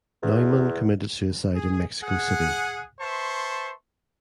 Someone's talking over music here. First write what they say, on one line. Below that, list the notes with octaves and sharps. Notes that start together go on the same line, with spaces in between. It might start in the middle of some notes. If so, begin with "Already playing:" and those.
Neumann committed suicide in Mexico City.
E2
G#4
G#4 F#5
B4 C5 E5 A5 C6 C#6